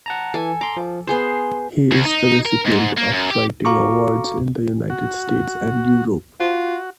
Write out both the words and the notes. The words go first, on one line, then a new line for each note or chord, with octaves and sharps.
He is the recipient of writing awards in the United States and Europe.
F#5 A5 A#5
E3 A4 G#5
A#5 C6 D6
F3
B3 G#4 C5 C6
D2
D#4
A#4
G#2
A#3
F#2
G4
F#4 A4 F5 A#5 C#6 D6
F#4
F4 F#4